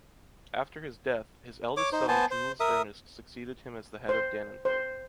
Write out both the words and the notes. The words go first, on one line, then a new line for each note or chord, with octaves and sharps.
After his death, his eldest son Jules-Ernest succeeded him as the head of Dannenberg.
C#5 D6
D#4 C5
B3 C5 G#5 A5
C5
A#4 E5 D#6
C5
C5